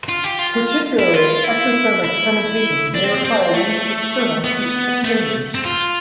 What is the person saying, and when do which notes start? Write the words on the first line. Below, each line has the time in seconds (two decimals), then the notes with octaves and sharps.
Particularly exothermic fermentations may require the use of external heat exchangers.
0.09 F4
0.24 G4
0.39 F4
0.99 E4
1.14 F4
1.44 E4
2.04 E4
2.94 D4
3.04 C4
3.15 C4
3.25 C4
3.54 A3
4.45 B3
5.05 A3
5.55 C4
5.65 F4